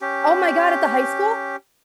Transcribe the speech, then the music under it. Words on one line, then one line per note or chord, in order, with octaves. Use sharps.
Oh my god, at the high school?
C#4 G4